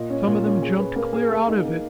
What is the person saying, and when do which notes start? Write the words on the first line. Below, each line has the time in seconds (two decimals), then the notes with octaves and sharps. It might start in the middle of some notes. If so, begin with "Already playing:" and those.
Some of them jumped clear out of it.
Already playing: A#2 D#5
0.10 C#4
0.27 A#2
0.44 C#4
0.62 G#4
0.79 B4
0.96 A#3
1.13 G#4
1.31 A#3
1.48 D#4
1.65 A#3